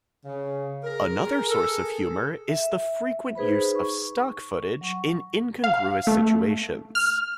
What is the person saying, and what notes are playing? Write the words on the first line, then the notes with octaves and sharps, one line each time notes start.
Another source of humour is the frequent use of stock footage in incongruous situations.
C#3
G#4 A#4
G#4 A4
E5
D#4 G#4 B4 C5 B5
C#6
F#3 C#6
F5
A3
F6